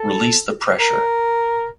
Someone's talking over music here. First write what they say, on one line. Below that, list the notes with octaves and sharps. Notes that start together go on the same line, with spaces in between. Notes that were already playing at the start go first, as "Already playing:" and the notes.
Release the pressure.
Already playing: A4
A#4